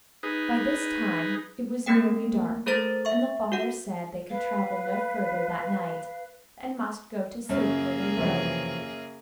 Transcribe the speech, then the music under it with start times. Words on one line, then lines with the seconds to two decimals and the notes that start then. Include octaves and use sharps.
By this time it was nearly dark, and the father said they could travel no further that night, and must go to sleep where they were.
0.23 D#4 G#4 B4
1.86 A3 A#3 C4 A#4 G5
2.66 A3 A4 A#4 C5 A#5 A6
3.05 E5 C#6
3.52 F#4 A4 F#5
4.30 B4 F5
7.49 F#2 C#3 A#3 C#4 G#4
8.17 F2 C3 E3